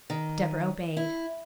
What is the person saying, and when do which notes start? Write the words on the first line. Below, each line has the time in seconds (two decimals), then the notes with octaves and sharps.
Deborah obeyed.
0.10 D#3
0.97 E4